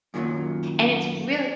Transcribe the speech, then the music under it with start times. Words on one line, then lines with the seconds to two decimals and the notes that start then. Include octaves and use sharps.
and it's really
0.14 F#2 A#2 D#3 F3 F#3